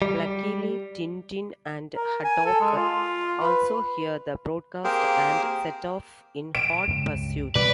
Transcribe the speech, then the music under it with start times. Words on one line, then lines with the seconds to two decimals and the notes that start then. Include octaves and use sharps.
Luckily, Tintin and Haddock also hear the broadcast and set off in hot pursuit.
0.02 G3
1.96 A#4
2.24 G#5
2.46 A4
2.61 G#3
2.77 F4
3.43 B4
4.84 A#3 C4 G4 G#4 A#4 C5
6.55 D7 E7
6.87 C#2 G2
7.55 B2 G3 C4 B4 D5